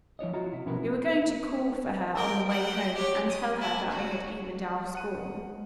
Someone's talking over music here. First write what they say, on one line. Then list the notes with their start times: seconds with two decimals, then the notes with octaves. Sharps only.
We were going to call for her on the way home, and tell her that we had evened our score.
0.19 F3 E4 C#5 D#5
0.33 F4 F#4 A#5
0.53 C3 E4
0.66 B2 F3 C#4 E4 A#4 B4
2.15 A#4 G5
2.49 F#5 G5
2.94 G4 C#5
3.29 D#6
3.60 E4 G#5
3.90 F#4
4.95 F#5 D#7
5.35 G#3